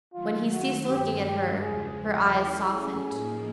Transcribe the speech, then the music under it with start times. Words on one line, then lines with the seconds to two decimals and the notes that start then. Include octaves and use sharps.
When he ceased looking at her, her eyes softened.
0.13 D#3 F#3 A3 F4
0.50 F#4
0.87 G2 D#3 G#3 G4
1.24 G4
1.60 E2 C#3 F3 G#3 G#4
2.34 A3 C#4 E4 G4
2.71 G#4
3.08 A2 F3 A#3 D#4